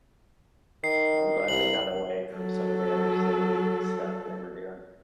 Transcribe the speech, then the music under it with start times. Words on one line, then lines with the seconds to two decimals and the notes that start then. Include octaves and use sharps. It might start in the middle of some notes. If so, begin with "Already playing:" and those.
So I'm glad they got away from some of the other silly stuff they were doing.
0.84 D#3 C7
1.48 C2 F#7
2.33 F#3 A4